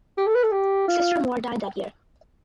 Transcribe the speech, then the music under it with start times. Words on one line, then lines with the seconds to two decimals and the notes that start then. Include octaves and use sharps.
Sister More died that year.
0.18 G4
0.26 A4
0.35 B4
0.43 A4
0.52 G4
0.88 F4